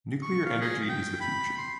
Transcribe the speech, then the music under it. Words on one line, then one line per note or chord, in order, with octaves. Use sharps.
Nuclear energy is the future.
C#6
F5
G#4
G5
B5
C6